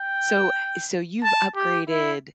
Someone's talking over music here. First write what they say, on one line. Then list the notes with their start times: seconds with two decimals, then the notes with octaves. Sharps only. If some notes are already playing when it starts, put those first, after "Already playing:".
so so you've upgraded,
Already playing: G5
1.24 A5
1.56 G4
1.89 E4